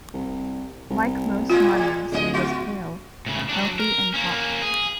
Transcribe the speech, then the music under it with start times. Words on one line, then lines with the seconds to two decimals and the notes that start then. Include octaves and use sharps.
Like most miners, he was pale, but healthy and taut.
0.13 C2
0.90 C2
1.50 A2 G#3 F4
2.12 D1 G#3 C4 D#5
2.34 E4 F#4
3.26 A2 C#3
3.49 F#3 D4
3.80 A#4
4.14 A#3 C#4
4.62 G#4